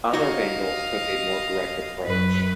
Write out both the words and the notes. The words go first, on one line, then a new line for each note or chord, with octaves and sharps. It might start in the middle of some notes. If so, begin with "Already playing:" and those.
Other vandals took a more direct approach.
D#4 F#4 C#5 D#5 F5
F#2 B4